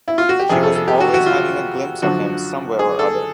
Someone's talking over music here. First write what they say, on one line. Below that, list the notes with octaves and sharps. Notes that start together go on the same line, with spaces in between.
She was always having a glimpse of him somewhere or other.
E4
F4
F#4
G4
F2 C3 F3 G#4
A4
A4
G4
F#4
F#4
F4
F#2 D3 F3 F#4
G#4
A4